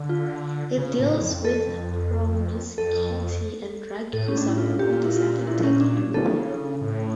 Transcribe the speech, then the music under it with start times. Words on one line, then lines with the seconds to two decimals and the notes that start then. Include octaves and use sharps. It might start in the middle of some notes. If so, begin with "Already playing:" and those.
It deals with promiscuity and drug use among disaffected youth.
Already playing: D3
0.09 F4
0.77 C#3
0.99 A2
1.21 F2
1.45 A4
2.78 F2 A4
4.13 A2 A4
4.28 C#4
4.37 D4
4.48 E4
4.58 F4
4.79 A#2 G4
4.93 F4
5.04 E4
5.16 F4
5.47 E4
5.64 C#4
5.80 D4
5.97 D4
6.14 C#3 A4
6.81 A2